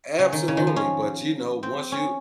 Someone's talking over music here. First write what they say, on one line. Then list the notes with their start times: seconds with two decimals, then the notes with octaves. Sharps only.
Absolutely, but, you know, once you
0.19 C#3
0.33 D#3
0.48 C#3
0.57 D#3
0.67 F3
0.76 C#4
1.63 C4
1.92 C#4